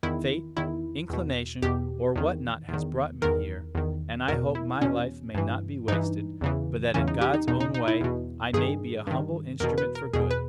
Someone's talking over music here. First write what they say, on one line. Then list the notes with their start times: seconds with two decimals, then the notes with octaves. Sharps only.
Fate, inclination, or what not has brought me here, and I hope my life may not be wasted, but that in God's own way, I may be a humble instrument for good.
0.03 E2 D#3 E4
0.57 E2 D#3 E4
1.10 E2 B2
1.62 E2 B2 G4
2.16 E2 D#3
2.69 E2 D#3
3.22 E2 D#3 A#4
3.75 E2 D#3
4.28 E2 B2 A#4
4.55 E4
4.81 E2 B2 C#4
5.35 G2 E3
5.88 G2 E3 D#4
6.41 E2 C#3 E3
6.94 E2 C#3 E3 C#4
7.08 D#4
7.21 G4
7.34 D#4
7.47 E2 B2 D#4
7.60 D#4
7.74 D#4
7.88 E4
8.01 E2 B2
8.53 G2 D#3 G#4
9.07 G2 D#3
9.60 E2 B2 A#4
9.78 B4
9.95 A#4
10.14 E2 B2 G#4
10.31 B4